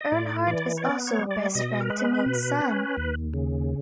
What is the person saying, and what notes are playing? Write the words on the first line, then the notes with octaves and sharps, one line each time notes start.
Earnhardt is also a best friend to Means' son.
D#5
A2 D5
E3 D5
C#5
B3 D5
C#5
G3
D5
B2 D#5
A#4
G#3 B4
B2
C#4
D#2
C#3